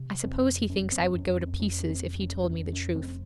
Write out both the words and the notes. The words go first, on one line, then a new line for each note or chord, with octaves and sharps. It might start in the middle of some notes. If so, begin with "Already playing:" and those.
I suppose he thinks I would go to pieces if he told me the truth.'
Already playing: C3
F2 C4
F#1 C#4
C4
F2 C#4
C4
F1 C#4
C#4
C4
F1
C#4
F2 C#4
C#4
F1 C4